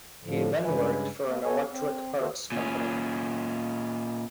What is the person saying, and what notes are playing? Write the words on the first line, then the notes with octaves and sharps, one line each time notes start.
He then worked for an electric parts company.
A2 D3 F3
G2 C#3 G#3 B4 G#5
A#3
B3 A4 C#5 G#5
C4
D#3 A#3 F#4 A4 C5 E5
A#2 C#4